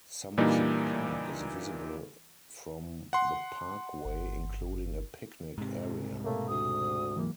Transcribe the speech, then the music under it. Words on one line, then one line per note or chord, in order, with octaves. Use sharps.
Some of the park is visible from the Parkway, including a picnic area.
A#2 E3 G3 A#3 D4 D#4
F#5 C6
G1
G#2 C3
B2 A3 A#3
D2 D#6
E3 F#3 A#3